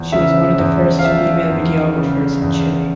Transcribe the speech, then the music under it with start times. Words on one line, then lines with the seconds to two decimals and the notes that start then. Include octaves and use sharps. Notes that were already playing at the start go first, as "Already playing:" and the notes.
She was one of the first female videographers in Chile.
Already playing: E2 F3
0.12 C#3 E5
0.59 E2
0.99 F5
1.04 F3 E5
1.50 E2
1.96 C#3
2.42 E2